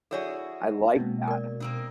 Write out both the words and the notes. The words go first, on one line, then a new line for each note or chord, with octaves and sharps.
I like that.
E4 F#4 G#4 A4 C#5 D5
B2 G#3 A#3 C4
A#4 D5
A#3 C4 D#4